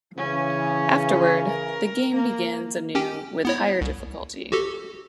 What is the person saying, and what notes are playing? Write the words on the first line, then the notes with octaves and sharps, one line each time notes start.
Afterward, the game begins anew with higher difficulty.
C#3 E3 C#4
A#4
A#3
C#4 G4 G5
B3 E4 C#5
C2
F#4 G4 A4